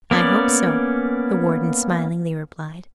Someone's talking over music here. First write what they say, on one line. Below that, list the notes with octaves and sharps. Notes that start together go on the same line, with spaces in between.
"I hope so!" the Warden smilingly replied.
A#3 B3 C#4 D5